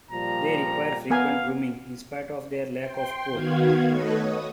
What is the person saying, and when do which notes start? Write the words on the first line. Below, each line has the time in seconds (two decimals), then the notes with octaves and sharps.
They require frequent grooming, in spite of their lack of coat.
0.11 A#2 F3 G3 A#5
1.10 B3 A#4 F5 G#5
2.77 G5 C6
3.30 D#3 B3 F#4 F5 G#6
3.87 A3 A4 B4 C#5 D#5 F#5
4.19 D#6